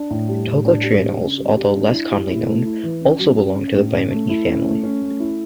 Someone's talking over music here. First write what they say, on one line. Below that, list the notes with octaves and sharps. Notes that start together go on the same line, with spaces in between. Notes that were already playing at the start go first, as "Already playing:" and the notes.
Tocotrienols, although less commonly known, also belong to the vitamin E family.
Already playing: D4
A2
G3
A2
D4
G3
D4
C#3
G3
G3
D4
E4
G4
E4
A3
E4
E3
C#4
F#3
C#4
C#4
A2
C#4
A3
E4
C#4
A3
C#4
A3
E4